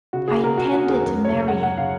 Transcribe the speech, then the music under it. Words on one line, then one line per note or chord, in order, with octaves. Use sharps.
I intended to marry him.
C#3 F#4
C#3 G#4
C#3 A#4
C#3 F#4
A#3 F#4
D#2 G#4
F#2 A#4
F#2
C#5
C#3
F#2 F#5
C#3 F#5
C#3 F5